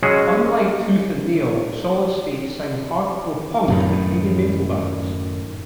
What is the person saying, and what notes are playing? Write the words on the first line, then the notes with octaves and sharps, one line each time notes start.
Unlike Tooth and Nail, Solid State signs hardcore punk and heavy metal bands.
F#3 G#3 C#4 F#4 G#4
F#2 A2 D#3